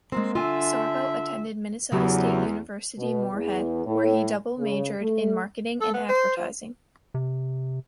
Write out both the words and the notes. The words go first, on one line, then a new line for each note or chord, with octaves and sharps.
Sorbo attended Minnesota State University Moorhead, where he double majored in marketing and advertising.
G#3 A#3 C4
D3 F4 E5 G#5
E2 C#3 F#3 G4
B2
E2
A2
C#3
A3
A4
B3
C5
F3
C3